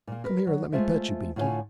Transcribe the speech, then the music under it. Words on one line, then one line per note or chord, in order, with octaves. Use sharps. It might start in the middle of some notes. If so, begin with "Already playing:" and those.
Come here and let me pet you, Binkie.'
A#2 A#3
A#4 B4
F#3
G#3 A3 F4 C5 E5
A2 D3 F4 B4 C#5 G#5